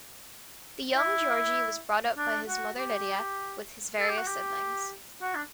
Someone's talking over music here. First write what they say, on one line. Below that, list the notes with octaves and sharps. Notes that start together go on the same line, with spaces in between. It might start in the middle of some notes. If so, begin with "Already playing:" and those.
The young Georgi was brought up by his mother Lydia, with his various siblings.
E4
D4
F#4
G4
A4
G4
F#4
G4
F#4
D4